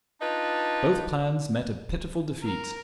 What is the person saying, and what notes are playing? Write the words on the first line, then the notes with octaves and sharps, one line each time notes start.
Both plans met a pitiful defeat.
D4 D#4 F4 B4
A#4